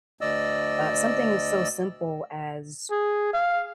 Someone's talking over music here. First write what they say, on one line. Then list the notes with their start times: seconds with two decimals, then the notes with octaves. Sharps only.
Uh, something so simple as
0.21 D2 D5 D#5 E6
2.91 G#4
3.33 F5